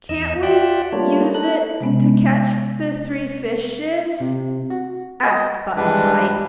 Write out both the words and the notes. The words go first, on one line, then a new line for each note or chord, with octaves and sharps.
"Can't we use it to catch the three fishes?" asked Button Bright.
E2 D#5 E6
F4 D5 E5 F#5 G5
G3 A3 A#3 D4 F4 C#5
D#4 A4 F#6
C3 G#3 B3 C#4
C3
F#4
D#5 F#5 G#5
G2 E3 G3 G#3 D4 B4